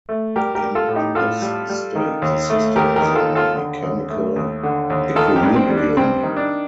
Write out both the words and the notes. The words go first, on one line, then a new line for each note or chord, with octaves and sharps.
In this state the system is in mechanical equilibrium.
A3
G3 G4 A#4
G4 A#4
G3
F4 A4
A2
D#4 G4
A2 F4 A4
G3
G3
D#3
D#2
A3
D#2 G4 A#4
G4 A#4
D#3
F4 A4
D#2
F4 A4
D3
D#2
A3
D#2
D3
D#2
D#3 F4 A4
G4 A#4
G2
C4
G3
D4
G2 C4
D#3
D4